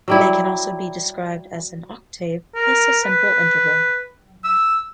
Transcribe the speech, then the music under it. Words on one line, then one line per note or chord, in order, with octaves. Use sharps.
They can also be described as an octave plus a simple interval.
F#3 G3 E4
A#4
B4
E6